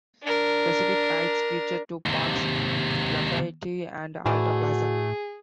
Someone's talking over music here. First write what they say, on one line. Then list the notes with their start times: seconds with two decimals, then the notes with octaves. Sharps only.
Pacific Heights features two parks, Lafayette and Alta Plaza.
0.22 D4 A#4
2.06 D#2 C3
4.26 A2 E3 A3 F#4 G#4 D5